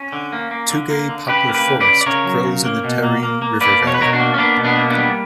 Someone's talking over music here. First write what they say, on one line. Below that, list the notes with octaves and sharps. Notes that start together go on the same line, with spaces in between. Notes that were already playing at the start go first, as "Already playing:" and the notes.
Tugay poplar forest grows in the Tarim River valley.
Already playing: C#4
D3
A#3
A#3
D3
A#3
D3
C#3 G4 B4
A#3
G4 B4
C#3
B4 D5
C#3
D5
C#3 A#4 C#5
F#3
C#3
A#3
B2
A#3
A#3
A#3
A#3 B4 D5
B2
C#5
B4
B2 A#4 C#5
D4 F#4
A#3
C#4
A#3 B3 D4
B2
B3 D4
A#3
B3 D4
G3